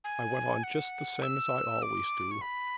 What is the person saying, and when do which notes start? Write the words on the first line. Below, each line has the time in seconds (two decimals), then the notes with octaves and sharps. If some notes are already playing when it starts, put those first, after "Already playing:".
I went on just the same as I always do.
0.04 G#5
0.64 F#5
1.22 E6
1.82 D6
2.31 C#6
2.41 B5